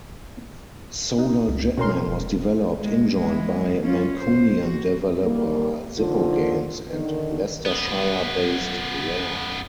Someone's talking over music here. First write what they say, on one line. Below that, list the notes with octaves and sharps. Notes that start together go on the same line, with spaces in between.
"Solar Jetman" was developed in-joint by Mancunian developer Zippo Games and Leicestershire-based Rare.
D#4
C#2
B2 C#4 A#4 C6
E1
G#3
E3 G#3
C#4 F4
C5
F#4
D#3 G3 A#3
D3 D#3 F3 F4
D3 D#3
F#2 B3